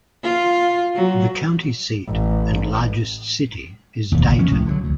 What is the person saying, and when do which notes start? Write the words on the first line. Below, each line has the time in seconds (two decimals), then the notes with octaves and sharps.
The county seat and largest city is Dayton.
0.23 F4
0.95 F#3
2.07 A1
4.12 E1 D#2
4.27 F#1
4.39 D#3 F3 B3 C#4
4.51 C2 A2 C3
4.66 D3 E3 F#3
4.84 D2